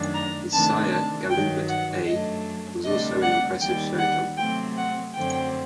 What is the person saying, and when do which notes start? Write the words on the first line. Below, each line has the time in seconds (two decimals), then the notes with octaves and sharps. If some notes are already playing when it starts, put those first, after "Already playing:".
His sire, Galoubet A, was also an impressive show jumper.
Already playing: F#2 D#3 A3 D4
0.14 A#5
0.52 C3 D#3 A3 D4 A5
0.91 A5
1.30 G2 D#3 F#3 G5
1.68 F#5
2.06 F#2 F#3 A3 D4 D#5
2.84 D2 C3 G3 D4 D#5
3.22 F#5
3.60 D#2 D#3 G3 G5
3.99 F#5
4.37 C3 F#3 A3 C4 G5
4.76 F#5
5.15 F#2 D3 F#3 A3 C4 G5